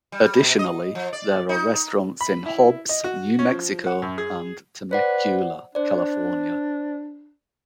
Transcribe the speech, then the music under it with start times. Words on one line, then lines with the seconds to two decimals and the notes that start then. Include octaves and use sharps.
Additionally, there are restaurants in Hobbs, New Mexico and Temecula, California.
0.12 G3
0.39 B2
0.59 D#5
0.95 F3
1.13 D5
1.49 D#4
2.21 B5
2.46 E4
2.89 D#5
3.04 F#4
3.39 C#4
3.51 F3
3.87 F#5
4.02 F#2
4.18 G#4
4.91 B4 C5 D5 F#5
5.75 D4 C5 D5